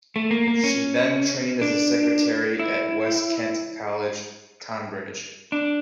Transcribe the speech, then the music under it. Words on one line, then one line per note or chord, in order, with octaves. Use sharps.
She then trained as a secretary at West Kent College, Tonbridge.
A3
A#3
A#3
C#4
D4
E4
D4